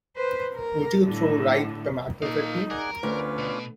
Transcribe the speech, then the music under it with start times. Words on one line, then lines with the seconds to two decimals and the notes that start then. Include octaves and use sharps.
Would you throw ripe tomatoes at me?
0.16 B4 C5
0.55 A#4
1.06 A2 D3
2.22 A#2 D#4 A4 F5
2.70 G#4 A#4 D5 F#5
3.03 D2 C#4 D4 F4 B4
3.38 B2